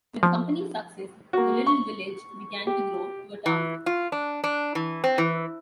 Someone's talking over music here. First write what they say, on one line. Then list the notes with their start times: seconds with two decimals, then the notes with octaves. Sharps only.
With the company's success the little village began to grow to a town.
0.23 F3
1.33 A#3 F#4
1.67 C#6
2.67 G4
3.46 E3
3.86 F4
4.12 D4
4.44 D4
4.75 E3
5.04 C4
5.18 E3